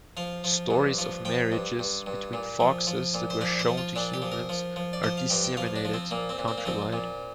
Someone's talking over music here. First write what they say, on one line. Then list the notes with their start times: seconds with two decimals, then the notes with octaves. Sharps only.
Stories of marriages between foxes that were shown to humans are disseminated country-wide.
0.17 F3 F5
0.44 F3
0.71 G2
0.98 F3
1.25 F3 G5
1.52 G2
1.79 G2
2.06 G2
2.33 A#2
2.60 F3
2.87 F3
3.14 A#2
3.30 C5
3.41 F3 D5
3.59 C5
3.68 F3
3.78 F4
3.96 A#2 D4
4.14 G4
4.22 F3
4.32 A#4
4.49 F3
4.76 F3
4.93 D5
5.03 F3 C5
5.17 F5
5.30 G2 G5
5.44 G5
5.57 F3 F5
5.76 D4
5.85 F3
5.94 C4
6.11 A#2 A#3
6.29 C4
6.38 A#2
6.48 C4
6.58 A#3
6.65 F3 C4
6.93 A#2